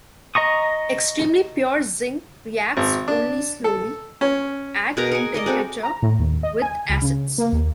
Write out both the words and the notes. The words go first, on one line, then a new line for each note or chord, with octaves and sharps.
Extremely pure zinc reacts only slowly at room temperature with acids.
D#5 A#5 C#6 D#6
G#1
D4
A4
C#4
B2 G#4 A#4 A#5
A#4 F#5 G#5
A#4 D5 D#5
G#3 C4 F#4 A4
A#5
A2
D#2
D#5
G#5
C#2
C#3
A#3
D#2